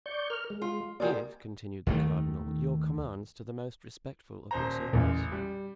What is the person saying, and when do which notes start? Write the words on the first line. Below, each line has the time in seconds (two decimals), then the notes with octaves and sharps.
"Give," continued the cardinal, "your commands to the most respectful of your servants."
0.06 D5 C#6 G6
0.30 A#4 F6
0.50 G#3
0.62 F4
1.00 G3 G#3 A#3 F#4 A#4 D5
1.87 D#2 D#3 A3
4.51 D#1 C5 A#5
4.93 A1 E2 A#2 C#3
5.32 G3